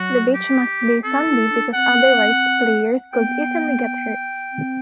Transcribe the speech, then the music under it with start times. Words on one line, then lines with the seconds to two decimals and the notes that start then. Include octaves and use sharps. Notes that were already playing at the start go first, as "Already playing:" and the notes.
The beach must be sandy because otherwise players could easily get hurt.
Already playing: F#3 F#4
0.34 G4
1.04 C4 A4
1.27 E4
1.50 D4
1.74 C4 F#5
3.13 B3 G5
4.52 C4